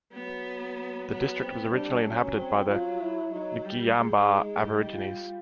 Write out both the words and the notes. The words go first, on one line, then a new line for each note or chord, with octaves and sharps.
The district was originally inhabited by the Ngiyambaa Aborigines.
F#3 B3
F#3 B3
C4
G3 D4
F#3 C#4
C4
F#3 F4
E4
F#3 D#4
G3
G#3
D#4
G3 D#4
F4